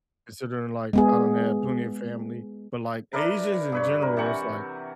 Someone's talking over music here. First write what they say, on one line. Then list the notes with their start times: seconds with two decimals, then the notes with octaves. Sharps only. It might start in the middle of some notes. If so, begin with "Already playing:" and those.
considering like I don't have plenty of family, but like Asians in general, it's like
0.93 G#3 B3 G#4
3.13 D4 E4 A#4 B4
3.72 G2 B4 C#5
4.02 A#4
4.17 C3 E3 F#5 C#6